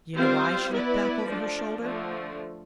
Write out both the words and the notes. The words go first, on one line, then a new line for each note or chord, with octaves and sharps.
"D'you know why she looked back over her shoulder?"
G3 C4 F4 C5
B3 E4 B4 D5
F3 A3 D4
D3 F3 A3